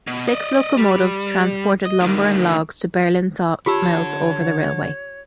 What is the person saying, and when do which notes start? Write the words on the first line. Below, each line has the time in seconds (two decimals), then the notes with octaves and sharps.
Six locomotives transported lumber and logs to Berlin sawmills over the railway.
0.07 B2
0.28 D5 D#5
0.77 G3
1.85 D#5
2.00 D2 D#3
3.66 D3 F4 G4 C#5 A5 E6